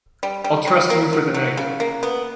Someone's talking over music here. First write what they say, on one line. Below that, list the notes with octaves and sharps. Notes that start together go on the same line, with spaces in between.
I’ll trust you for the night.
G3
G3
G3
A#3
F#3
F#3
C#3
A#3
B3